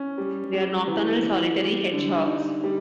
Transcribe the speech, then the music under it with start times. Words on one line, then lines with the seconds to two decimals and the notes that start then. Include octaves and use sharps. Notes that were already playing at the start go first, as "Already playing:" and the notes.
They are nocturnal solitary hedgehogs.
Already playing: C#4
0.18 G3
0.53 G3
0.87 E3
1.23 E3
1.58 G3
1.93 D3
2.28 D#4
2.64 G3